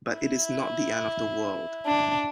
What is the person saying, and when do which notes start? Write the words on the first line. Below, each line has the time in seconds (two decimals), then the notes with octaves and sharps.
But it is not the end of the world.
0.14 E4
1.86 D4